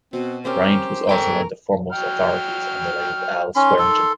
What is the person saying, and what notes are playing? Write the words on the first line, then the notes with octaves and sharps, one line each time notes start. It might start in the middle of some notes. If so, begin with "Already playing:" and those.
Bryant was also one of the foremost authorities on the life of Al Swearengen.
B2 C4
C4 C#4 G4 A#4 C5
A4 A#4 G5 G#5 C#6 D6
F#3 G5 F6
D#3 C#4 C6
A4